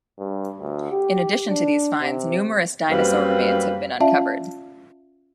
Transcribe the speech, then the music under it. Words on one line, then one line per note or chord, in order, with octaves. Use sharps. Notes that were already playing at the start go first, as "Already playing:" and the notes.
In addition to these finds, numerous dinosaur remains have been uncovered.
G2
D2
G4
D4
C3
F#2 G3 A#3 C4 B4 F5
C#4 F4 D5 E5 F5 A5